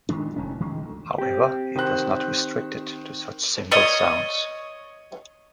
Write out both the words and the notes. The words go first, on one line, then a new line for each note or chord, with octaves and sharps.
However, it was not restricted to such simple sounds.
D#3 G#3 D4
F1 F2 D#3 C#4
D#3 F3 G#3
D2
C4 G4
D#3 C5 F#6
C#5 D#5